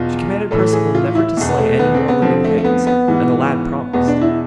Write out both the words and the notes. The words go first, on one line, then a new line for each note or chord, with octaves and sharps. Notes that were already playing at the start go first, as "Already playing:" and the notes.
She commanded Perceval never to slay any more living things, and the lad promised.
Already playing: E2 B2 F4
A2 E3 A4
G#4
F4
E4
E2 B2
B3
A3
B3
C4
B3
F2 D3 F3 C4
A3
A3
B3
B3
G#2 E3
E2 B2 B3
D4
E4